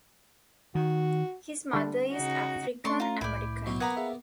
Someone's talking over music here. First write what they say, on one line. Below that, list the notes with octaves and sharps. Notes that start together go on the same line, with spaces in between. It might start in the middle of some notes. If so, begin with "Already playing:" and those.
His mother is African-American.
D#3 F#4
D3 G3 D4
C#3 D#4 F#4
A3 C#4 D5 C6 C#6
F4 A#5
C2 A2 E4 D5 G6
B2 F#3
A#3 B3 F#5 A#5 B5 D#6 G#6
G#4 E5 F5